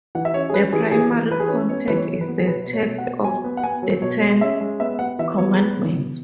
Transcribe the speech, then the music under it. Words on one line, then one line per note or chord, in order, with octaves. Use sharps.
The primary content is the text of the Ten Commandments.
E3 F#5
E5
C#4 C#5
G#4
C#4 B4
E3 G#4
E3 G#4
E3
E3 B4
G#4
C#4 B4
B3 C#5
E3 B4
C#5
E3
B4
B3
G#4
B2 B4
B4
B2
C#5
B2
F#5
B3
F#3 G#5
B3
F#5
B3 G#5
F#3
B2 C#5
G#3
C#4 E5
G#3
B3 E5
B3 F#5
E3 E5
B3 C#5
G#4
G#3 B4
B2
B2